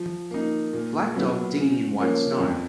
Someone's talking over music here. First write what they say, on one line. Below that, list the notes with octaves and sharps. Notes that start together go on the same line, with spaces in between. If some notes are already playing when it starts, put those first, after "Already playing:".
Black dog digging in white snow.
Already playing: F3
A#3 D#4
A#2
F#3 B3 E4
C#3
F3 A#3 C#4
F2